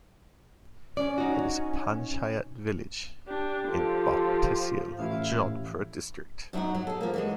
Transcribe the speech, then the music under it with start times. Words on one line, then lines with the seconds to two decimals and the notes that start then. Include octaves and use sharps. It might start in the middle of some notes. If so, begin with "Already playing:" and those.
It is a panchayat village in Bap tehsil of Jodhpur District.
0.97 C#4 D5
1.18 D#4 F#4
3.28 D4 G4
3.68 F3 A4
4.99 A1 E4 F5
6.53 F#2 F#3 D4 D#4 F#4
6.75 F#3
6.87 G#4 A4
7.01 F3 A#3
7.14 E3 F#3 G#3